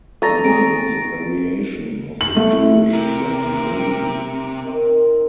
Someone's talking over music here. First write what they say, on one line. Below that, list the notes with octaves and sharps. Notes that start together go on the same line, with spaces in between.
The name is a variation of the Jewish clan Levi.
A4 D5 A#5 C#6 A6 A#6
C4 G#4 D7
F#7
A3
E4
C3 A#4
D#3 C4